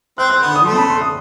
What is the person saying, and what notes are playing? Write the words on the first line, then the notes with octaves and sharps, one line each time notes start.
uh, we made
C4 F#6
C4 F#6
B3
D#6
A3 C6
B5
C6
D#6